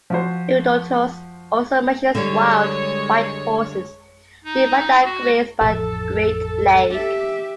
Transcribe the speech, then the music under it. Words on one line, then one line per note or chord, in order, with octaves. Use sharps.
Herodotus also mentions wild white horses nearby that grazed by a great lake.
F3 F#4 C5
D3 G3 G#3 C#5
D#4
F#4
A1 F2 A4
G4 E5